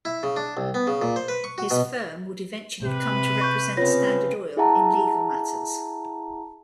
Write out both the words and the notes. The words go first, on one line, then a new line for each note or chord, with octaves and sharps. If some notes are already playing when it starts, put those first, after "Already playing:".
His firm would eventually come to represent Standard Oil in legal matters.
E4
C#3
D4
C2
B3
C#3
A#2
C5
B4
C#6
F#4
B2
C3 B4
C#6 G6
C#3 B3 C4 F4 C#5 A#6
E4 G#4 E5 F#5 A5 A#5